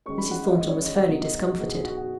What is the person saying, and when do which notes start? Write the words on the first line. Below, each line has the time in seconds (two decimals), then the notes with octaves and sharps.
Mrs. Thornton was fairly discomfited.
0.06 D#3 G#3 C#4 C#6
0.18 B5
0.31 F#5
0.43 D#5
0.57 D#3 G#3 C#4 D#5
0.69 C#5
0.83 D#5
0.95 F#5
1.07 B2 F#3 B3 D#4 D#5
1.21 D#5
1.33 G#4
1.46 F#4
1.59 B2 F#3 B3 D#4 G#4
1.72 G#4
1.85 F#4
1.98 F#4